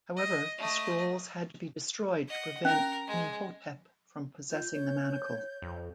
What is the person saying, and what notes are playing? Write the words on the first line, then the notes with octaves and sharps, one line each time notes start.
However, the scrolls had to be destroyed to prevent Imhotep from possessing the manacle.
D#5
A3 D#5
D#5 F#5
C#4 A#4
G#3
F4 G6
C#5
F2